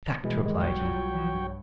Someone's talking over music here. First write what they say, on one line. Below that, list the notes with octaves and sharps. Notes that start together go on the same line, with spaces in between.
"Fact!" replied he.
B2 E3 G3 G#3
G#2 D#3 G#3
B1 F#3 C#5 G5
G3 F4 F#4
E3 F3
G2